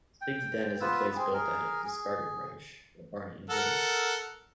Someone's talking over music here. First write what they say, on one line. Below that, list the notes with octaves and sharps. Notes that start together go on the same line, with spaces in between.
Stig's den is a place built out of discarded rubbish, that Barney enjoys.
G5
B3 F4 B4 E6
C4 G#4
G#4 A#4
G#4
A4 A#4 F#5